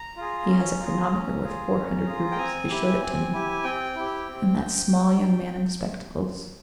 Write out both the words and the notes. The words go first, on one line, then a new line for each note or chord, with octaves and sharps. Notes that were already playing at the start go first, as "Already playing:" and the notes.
"He has a chronometer worth four hundred roubles; he showed it to me." And that small young man in spectacles....
Already playing: A#5
F4 G#4
C#4
F4 G#4
C#4
F4 G#4
C#4
F4 G#4
G5
C4 G#5
E4 G4
C4
E4 G4
C4 G5
E4 G4
C4